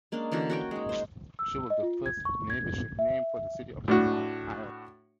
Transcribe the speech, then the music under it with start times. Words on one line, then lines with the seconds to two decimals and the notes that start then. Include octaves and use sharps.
She was the first Navy ship named for the city of Des Moines, Iowa.
0.12 G#3 A#3 C#4 D4
0.32 D3 E3 C#4 F#4
0.50 F#4 C#5 G5
0.71 G#3 D#4
0.89 C5
1.39 E6
1.70 D#5
1.83 F4
2.06 G#6
2.25 C#6
2.50 G#6
2.99 E5
3.88 A2 D4 F#4